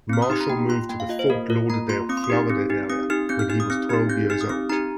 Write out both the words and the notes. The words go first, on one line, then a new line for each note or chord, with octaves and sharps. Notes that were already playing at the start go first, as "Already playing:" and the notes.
Marshall moved to the Fort Lauderdale, Florida area when he was twelve years old.
C4 F6
D#6
D#4 G4 C6
A#5
A#3 G5
F4 C6
A#3 G5
F5
F4 D#5
C5
A#3 A#4
F4 A#4
A#3 A#5
F4 C6
C4 D#6
C6
D#6
D#4 G4
C4
D#4 G4
C4 D#6
D#4 G4 F6
C4 G6
F6
D#4 G4 F6
D#6
C4 F6
D#4 G4 F6
C4 G6
D#4 G4 F6
D#6
C4 F6
D#4 G4 A#5